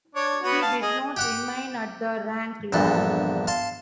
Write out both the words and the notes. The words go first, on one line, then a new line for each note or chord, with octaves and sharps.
He did not remain at the rank long.
D4 C#5
B3 F#4 C#5
F5 A5
G#4 D#5
G4 F#5 D6
A#1 E2 G2 A4
F5 A5 C6